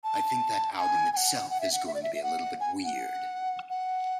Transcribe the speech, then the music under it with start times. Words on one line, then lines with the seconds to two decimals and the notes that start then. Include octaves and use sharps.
I think that album itself is going to be a little bit weird.
0.04 A5
0.77 A5
0.80 G#5
1.13 G#5
1.17 F#5
1.50 F#5
1.61 E5
1.72 F#5
1.87 E5
1.94 D5
2.03 E5
2.15 E5
2.23 F#5
2.60 G#5
2.84 F#5
3.70 F#5